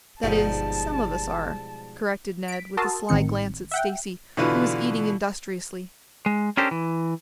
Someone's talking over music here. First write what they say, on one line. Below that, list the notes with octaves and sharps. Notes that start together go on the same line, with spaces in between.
"That is, some of us are," corrected Ned, with a sly glance at Stacy, who was eating industriously.
G1 G#2 B2 F3 G3 D#4 F5 A5
B6 D7
F#4 A#4 A5 C6 D#6 E6
A1 D#3 C4 C#7
E5 F#5 G5
B2 D3 E3 D4 F4 B4
G#3
C#4 D4 G4 A4 A#4 C5
E3